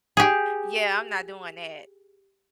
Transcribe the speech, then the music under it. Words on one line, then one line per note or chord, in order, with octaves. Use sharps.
Yeah, I'm not doing that.
G4 G#4